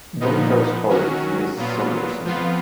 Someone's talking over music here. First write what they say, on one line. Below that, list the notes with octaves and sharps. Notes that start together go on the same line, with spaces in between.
Don't tell stories, Miss Summerson.
A#2 F3 B3 D#4
D#3 F#3 C#4 F#4
A#2 F#3 B3 F4
F2 F3 B3 F4